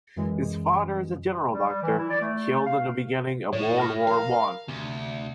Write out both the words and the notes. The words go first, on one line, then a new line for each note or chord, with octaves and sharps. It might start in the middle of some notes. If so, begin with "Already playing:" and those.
His father is a general doctor, killed in the beginning of World War One.
F#2 E3 G#3
G3
G3
E3
E4
D5
A3
F5
A2 C#5
B5 F6 A#6
A#4 F5 A#5
D2 C3